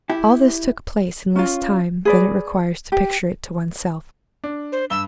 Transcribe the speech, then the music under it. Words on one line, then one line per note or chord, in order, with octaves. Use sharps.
All this took place in less time than it requires to picture it to one's self.
E4 G4
C#4 F4
G#4 B4 D5
G4
D4
C5
G2 E6 G7